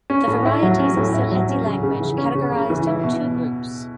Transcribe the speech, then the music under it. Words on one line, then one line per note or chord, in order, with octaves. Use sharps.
The varieties of Sylheti language categorised in two groups.
C#4
A2
E4
F#3
C#4
A2
E4
F#3
C#4
C#3
C#3
E3
C#4
C#3
C#3
E3
E4
B2